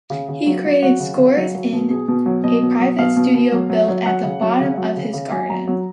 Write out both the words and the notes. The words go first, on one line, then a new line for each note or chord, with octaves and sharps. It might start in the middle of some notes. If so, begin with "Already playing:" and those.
He creates scores in a private studio built at the bottom of his garden.
C#3
C#3
F#3
F#3
F#3 F#4
C#3
C#3
F#3
F#3
B2
B2 G#4
B2
F#3
B2 D#5
B2
F#3
B2 F5
B2
B2
F#3
F#3
F#3
F#3 F#5
C#3
F#3
C#3
F#3
C#3
C#3
F#3 G#5
F#3 A#5
F#3